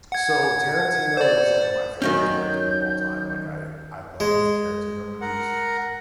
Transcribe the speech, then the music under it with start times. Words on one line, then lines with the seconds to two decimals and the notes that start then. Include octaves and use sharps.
so Tarantino is like my favorite director of all time, like I I love Tarantino movies.
0.12 F#5 G#6
1.17 C5 D5
2.02 D#3 F#3 C#4 G6
4.20 G#3
5.21 A#4 F#5